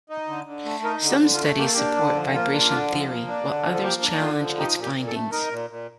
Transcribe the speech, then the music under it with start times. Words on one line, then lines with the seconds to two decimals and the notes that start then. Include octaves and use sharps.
Some studies support vibration theory while others challenge its findings.
0.10 D#4
0.27 D3
0.46 D3
0.65 A3
0.84 D#4 A#4
1.02 D3
1.09 G4
1.21 D3
1.34 F4
1.41 A3
1.58 A#3 G4
1.66 A4
1.74 D4 G4
1.97 D3
2.15 F3
2.33 A#3 F4
2.52 D4
2.71 D3
2.90 F3
3.08 A#3
3.27 D4
3.45 D3
3.64 F3
3.75 A4
3.83 A#3 G4
4.02 D4
4.20 D3 F4
4.39 F3
4.58 D#4 G4
4.76 A#2
4.82 G4
4.95 A#2
5.07 A4
5.13 A3
5.32 D#4 A#4
5.51 A#2
5.70 A#2